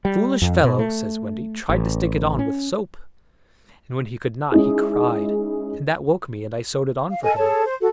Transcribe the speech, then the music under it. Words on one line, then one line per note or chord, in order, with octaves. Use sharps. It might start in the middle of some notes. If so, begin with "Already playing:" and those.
"The foolish fellow," says Wendy, "tried to stick it on with soap, and when he could not he cried, and that woke me, and I sewed it on for him."
G3
F2
B2
A3
A1
C#4
G#3 C#4 D#4 E4 G#4
F5
A4 A#4 D#5 G#5
G#4 A4 C#5 A5
C5
F#4 A4